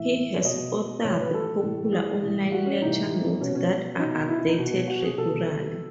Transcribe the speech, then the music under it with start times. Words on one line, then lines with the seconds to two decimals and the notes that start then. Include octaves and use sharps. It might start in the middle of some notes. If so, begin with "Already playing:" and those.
He has authored popular online lecture notes that are updated regularly.
Already playing: A2 E3 E5
0.34 C#5
0.45 B2 D#5
1.04 A2 E3 C#5
1.20 B4
1.34 A4
1.63 A2 E3
1.93 G#4
2.23 A2 E3
2.52 F#4
2.66 C#4
2.81 A2 E3 D#4
3.41 B2 C#4
3.55 C#4
3.95 C#4
3.99 B2 D#4
4.28 E4
4.39 E4
4.49 D#4
4.58 B2
4.88 F#4
5.03 G#4
5.17 B2 A4